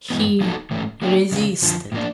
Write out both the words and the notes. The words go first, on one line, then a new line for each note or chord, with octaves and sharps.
He resisted....
G2 E3 G#3 B3
F3 A#3 D#4 F#4 A4
G#2 E3 A3
F#3 A#3 D4 G4
E2 C#3 G#3
F2 D3 F3
A2 F3 A#3 D4